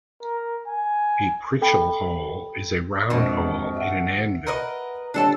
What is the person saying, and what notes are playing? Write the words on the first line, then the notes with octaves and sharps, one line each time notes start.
A pritchel hole is a round hole in an anvil.
A#4
G#5
A4 G5 B5
A#1 F2 G#2 B2 D#3
E5 F#5
A#4 B4 D#5
D3 G3 D4 A4 C#5 A5